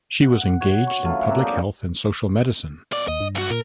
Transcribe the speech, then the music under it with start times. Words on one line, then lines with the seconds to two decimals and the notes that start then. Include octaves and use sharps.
She was engaged in public health and social medicine.
0.22 F#5
0.60 F#4 C#5 F#5
0.87 C#6
1.04 F#2 E3 A3 F4
1.27 A#3 C4 D4
1.41 G#4 C5 D5
2.92 B2 D5
3.08 D#2 D#5
3.21 G2
3.35 B1 F#4
3.50 A#2 A#4